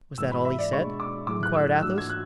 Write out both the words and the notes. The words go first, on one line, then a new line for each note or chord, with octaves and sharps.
"Was that all he said?" inquired Athos.
G#2 E3 G#3 E6
B5
E5
D5
B2 G#3 D4 C#6
D6
A2 F#3 A3 E4 G#4 D6
F#6
E6
G#2 E3 A3 D4 F#4 E6
G#6
F#6